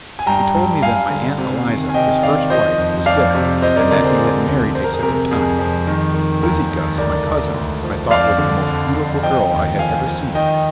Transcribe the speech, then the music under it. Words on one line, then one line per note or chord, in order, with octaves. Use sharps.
He told me that my Aunt Eliza, his first wife, was dead, and that he had married a second time; Lizzie Guss, my cousin, I thought was the most beautiful girl I had ever seen.
G#5
G2 G5 A#5
G2
G2 F5 G#5
D3
C3
D#3
G#5
C3 D#5 G5
D#3 D5 F5
F3 C5 D#5
F2
F2 D5 F5
C3
F3 C5 D#5
A#4 D5
D3 A#4 D5
G#4 C5
F3
D2
F2 C5
A#4
G#4
C3 A#4
F2 G#4
F2
D#3
D#3
D#2 A#4
D#3
D2 A#4 D5
D2
D2
F3
F2 D5 F5
D3
F2
F2
F3 D#5 G5
D#2
F3 F5 G#5
F3
D#3 D#5 G5